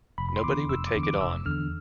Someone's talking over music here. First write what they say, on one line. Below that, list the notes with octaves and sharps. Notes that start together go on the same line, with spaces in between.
Nobody would take it on.
F1 B5
B5
C6
E2 D3 D6
F1 E6
D6
E2 D3
D6
F1 E6
E2 D3 F6